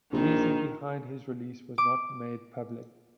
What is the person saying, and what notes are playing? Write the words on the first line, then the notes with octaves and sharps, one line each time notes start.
The reason behind his release was not made public.
A#1 D#3
D6